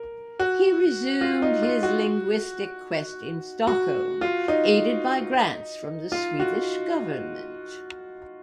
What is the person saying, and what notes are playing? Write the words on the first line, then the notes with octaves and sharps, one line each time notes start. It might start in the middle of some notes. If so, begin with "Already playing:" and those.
He resumed his linguistic quest in Stockholm, aided by grants from the Swedish government.
Already playing: A#4
F#4
F4
D#4
F4
F#4
F#4
F4
D#4
F4
F#4